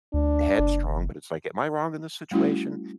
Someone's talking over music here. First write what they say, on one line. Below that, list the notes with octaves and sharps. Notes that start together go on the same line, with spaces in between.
headstrong, but it's like, am I wrong in this situation?
D2 D4
F#1
G3 A3 C#4 E4 F#4